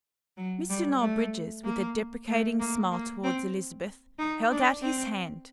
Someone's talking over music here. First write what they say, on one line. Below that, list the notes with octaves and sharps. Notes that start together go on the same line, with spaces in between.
Mr. Noel Bridges, with a deprecating smile towards Elizabeth, held out his hand.
F#3
G3
A3
A#3
A3
A#3
A#3
C4
D#4
D4
C4